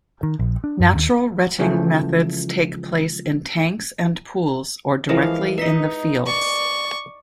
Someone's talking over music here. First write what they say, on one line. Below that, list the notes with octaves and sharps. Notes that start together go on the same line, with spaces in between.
Natural retting methods take place in tanks and pools, or directly in the fields.
D#3
A#1
D4
F#2
D#2
C#2 C#3 E3 F3 A3
E3 F3 G#3 E4 A#4 F5
D#4 B4 D#5 E5 B6 C#7
D5 C#6